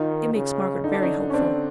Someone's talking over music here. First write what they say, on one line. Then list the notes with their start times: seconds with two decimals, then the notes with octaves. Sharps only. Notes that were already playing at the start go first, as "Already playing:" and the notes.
It makes Margaret very hopeful.'
Already playing: D#3 D#4 F4
0.35 C#3
0.84 D3 D#4
0.94 D4
1.02 C#4 D#4
1.30 C#4
1.33 C4 D4